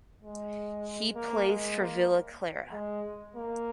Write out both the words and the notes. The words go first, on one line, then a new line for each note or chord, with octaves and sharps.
He plays for Villa Clara.
G#3
A#3
G#3
A#3
G#3
A#3